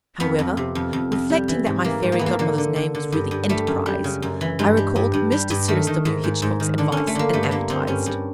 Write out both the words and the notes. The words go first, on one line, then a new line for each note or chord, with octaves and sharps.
However, reflecting that my fairy godmother's name was really Enterprise, I recalled Mr. Cyrus W. Hitchcock's advice, and advertised.
F2 B3
F2
C3
F2
F2
F2
G3
E3
G#2
E3 A#3
G#2
A#3
E3 B3
A#3
D3 A#3
D3
D3
D3
G2
G2
G3 A3
F#2
G3
C#3
F#2
E3
G2 G#3
G3
G2
G2
G3
G2
D#3 A3
D#3
G#2
G#2
G#2
D#3
D3 D4
D3 C#4
A3
D3 A#3
G2 A3
B3
D3 A#3
D3 C4
G2 C#4
G2